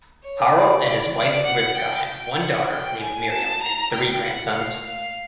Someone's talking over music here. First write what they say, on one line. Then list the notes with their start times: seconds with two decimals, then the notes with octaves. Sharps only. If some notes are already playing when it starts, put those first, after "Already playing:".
Harel and his wife Rivka had one daughter, named Miriam, and three grandsons.
0.23 C#5
0.54 D5
0.84 D5
1.15 D5
1.46 F#5
1.77 G5
2.08 G5
2.39 F#5
2.70 G5
3.01 G#5
3.31 A5
3.63 A#5
3.94 G5
4.25 F#5
4.55 F5
4.87 F5